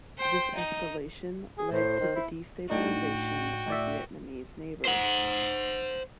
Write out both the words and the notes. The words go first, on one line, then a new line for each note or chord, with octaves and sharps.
This escalation led to the destabilisation of Vietnamese neighbours.
C5 G5
D#4
G#4
A2 C5
D#3
E4
A2 D4 D#4 F#4 G5
A2 D5 E5
C5 F#5